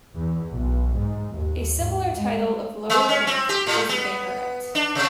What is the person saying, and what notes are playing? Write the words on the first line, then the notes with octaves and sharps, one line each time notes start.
A similar title of lower rank was banneret.
E2
B1
G#2
D#2
G#2
G#3
G#3
C#4
C4
G4
A2
B3
D4
C3